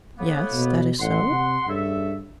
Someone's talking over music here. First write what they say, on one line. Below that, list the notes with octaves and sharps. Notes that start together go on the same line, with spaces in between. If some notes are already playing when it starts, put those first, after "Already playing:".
"Yes, that is so."
A2 A#3 B3
B2
A1 F#5 C6
C3
G2 C#3 A4 E5